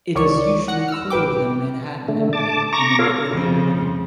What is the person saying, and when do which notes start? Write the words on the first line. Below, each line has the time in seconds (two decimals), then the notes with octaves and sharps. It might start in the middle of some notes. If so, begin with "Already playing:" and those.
It is usually cooler than Manhattan at night and in the early morning.
0.15 C#2 D#3 C#5 D5 C#6
0.68 F#5 A#6 C#7
0.88 E6 F6
1.10 A1 B4 G5 D6
2.08 D3 A3
2.33 A5 D6
2.73 A#5 C#6 D6 A#6
2.99 F4 A4 A#4 C#5 F5
3.30 F2 C#3